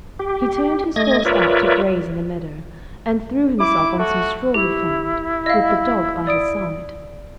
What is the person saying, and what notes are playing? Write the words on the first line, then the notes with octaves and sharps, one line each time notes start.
He turned his horse out to graze in a meadow, and threw himself on some straw he found, with the dog by his side.
G4
A3 D#5 G#6 A#6
F4 A#4 B4 C#5 D5 E5
E4 D6
A3 F#4
E4 G4
D#5 F5
D5 D#6 D7